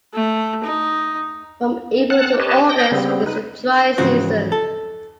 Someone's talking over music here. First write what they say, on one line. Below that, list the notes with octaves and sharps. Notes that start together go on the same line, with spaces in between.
From April to August is the dry season.
A3
D#4
C4 F#5 A5 F#6
G4 B4 C#5 D#5 A5
D#5 G5 G6 A#6
C#3 G3 B3 C4
D#4 B4
G#2 C#3 E3 F3 C4 F#4
A4